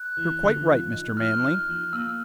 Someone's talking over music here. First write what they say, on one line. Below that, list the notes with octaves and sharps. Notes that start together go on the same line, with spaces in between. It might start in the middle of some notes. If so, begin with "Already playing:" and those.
You're quite right, Mr. Manley.
Already playing: F#6
E3
D3
F3
D#4
F3 F6
D#4
F3
A#3 E6